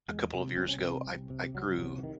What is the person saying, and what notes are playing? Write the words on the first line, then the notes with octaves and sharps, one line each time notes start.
a couple of years ago, I I grew
E2 G#3
C3
C2 C4
C#4
C3 C4
C2
C3
C2 F#3
C3 F#3
E3
D#3